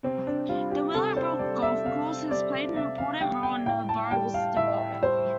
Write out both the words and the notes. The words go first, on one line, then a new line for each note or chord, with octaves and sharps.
The Willowbrook Golf Course has played an important role in the borough's development.
C3 C4
D4
G3 F4
G4
C3 A4
C5
G3 D5
E5
C3 F5
G3 D5
C3 E5
F5
G3 G5
G5
A2 G5
A5
G3 G5
F5
A2 E5
G3 C5